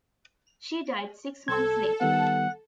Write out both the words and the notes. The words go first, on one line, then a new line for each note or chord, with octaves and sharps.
She died six months later.
C2 A4 G#6
D#3 G3 B3 F#5